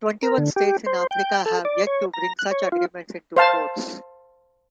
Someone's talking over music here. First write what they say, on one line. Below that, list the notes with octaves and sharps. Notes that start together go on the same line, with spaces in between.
Twenty-one States in Africa have yet to bring such agreements into force.
A#4
D3
G4
C5
G5
A4
D5
C#5
A#5
F#6
C#5
F4
C5 F5 A5